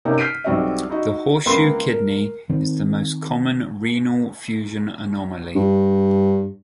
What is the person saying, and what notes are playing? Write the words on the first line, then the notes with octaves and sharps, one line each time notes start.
The 'horseshoe kidney' is the most common renal fusion anomaly.
C3 A#3 C#4 D#4
F6 G6 B6 C7 D7 D#7
B1 G3 C4 F#4 D5 E5
D#4 E4 F#4 D#5
C#2 A#3 B3 B5 C6 C7
A#4
D#3 C4
G2